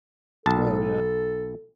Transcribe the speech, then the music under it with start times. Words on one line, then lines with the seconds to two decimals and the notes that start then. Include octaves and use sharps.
Oh, yeah.
0.46 B1 A4 A5